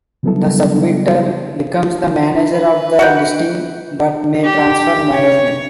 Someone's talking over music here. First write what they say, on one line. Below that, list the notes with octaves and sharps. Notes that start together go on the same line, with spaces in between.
The submitter becomes the manager of the listing but may transfer management.
C#3 F#3 G3 B3 E4 A4
B4
F#4 F#5 G5
G4
C#5